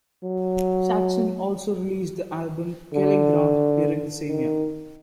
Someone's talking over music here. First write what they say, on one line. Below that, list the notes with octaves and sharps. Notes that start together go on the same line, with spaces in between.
Saxon also released the album "Killing Ground" during the same year.
F#3
D3
D#3